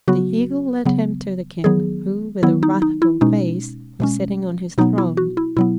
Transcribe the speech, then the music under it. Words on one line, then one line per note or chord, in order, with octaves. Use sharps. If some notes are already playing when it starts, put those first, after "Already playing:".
The Eagle led him to the King, who with a wrathful face was sitting on his throne.
C#3 F#3 B3 F#4
C#3 F#3 B3
D#3 F#3 B3 G#4
D#3 F#3 B3 E4
D#4
D#4
E4
B2 G#3 C#4 D#4
B2 G#3 C#4
B2 F#3 B3 D#4
E4
F#4
E4
B2 F#3 B3 E4